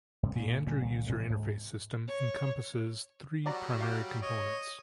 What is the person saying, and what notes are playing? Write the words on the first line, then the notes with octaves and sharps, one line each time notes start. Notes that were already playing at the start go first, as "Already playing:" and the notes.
The Andrew User Interface System encompasses three primary components.
G2 C3
A#2 A#3
D2 A#2 G3
C2 A#2 D#3
A2 C3 E3 G#3
D2 G#2
C#5
F#3 G3 F#4 D5 A5 A#5
G4 F5
C#5 D#5